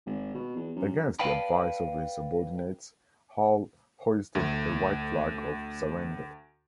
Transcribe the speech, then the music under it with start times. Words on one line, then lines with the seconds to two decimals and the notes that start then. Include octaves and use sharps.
Against the advice of his subordinates, Hull hoisted a white flag of surrender.
0.06 G#1
0.34 B2
0.56 E2
0.76 F#2
1.19 B4 D5 F5 G5 A5 B5
4.35 D2 A3